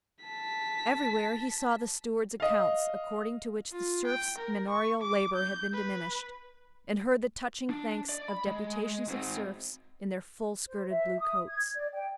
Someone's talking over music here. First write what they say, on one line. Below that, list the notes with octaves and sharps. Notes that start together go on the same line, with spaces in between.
Everywhere he saw the stewards' accounts, according to which the serfs' manorial labor had been diminished, and heard the touching thanks of deputations of serfs in their full-skirted blue coats.
A5 B6
D#5 F5
F4
G5
A#4
C#6
D6
G6
B4
D4
D5
B5
G#3
G#2 C4
C5
E5
D#6
G#6
D5
G5